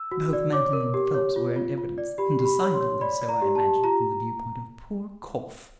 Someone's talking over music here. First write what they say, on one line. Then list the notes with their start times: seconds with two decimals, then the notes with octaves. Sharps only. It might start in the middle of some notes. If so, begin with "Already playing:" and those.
Both Manton and Phelps were in evidence, decidedly so, I imagined, from, the viewpoint of poor Kauf.
Already playing: E6
0.12 F#4
0.33 D5
0.53 C#5 D6
0.73 A#4
0.94 G4
1.14 C#5
1.36 F4
1.56 F4
1.78 F4
1.98 D5
2.18 G4 B5
2.39 G4
2.45 B5
2.60 C#5
2.74 C6
2.81 C#5
3.01 D5 B5
3.22 D5
3.29 A#5
3.42 G4
3.55 A5
3.63 G4
3.84 F4 A#5